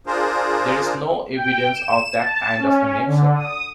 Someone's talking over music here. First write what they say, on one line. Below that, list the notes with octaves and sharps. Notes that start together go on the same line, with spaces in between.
There is no evidence of that kind of connection.
D4 F4 G#4 A#4 C5
G5
E7
A5
C#4
D3
D#6